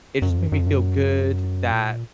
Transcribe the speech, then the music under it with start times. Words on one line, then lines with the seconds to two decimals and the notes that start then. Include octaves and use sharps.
it just made me feel good that
0.22 F#2
0.30 F2
0.38 F#2
0.52 F#2
0.60 F2
0.67 F#2
1.72 A#2